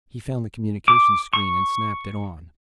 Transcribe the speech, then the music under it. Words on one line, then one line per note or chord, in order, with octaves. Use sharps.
He found the communications screen and snapped it on.
D6
C#6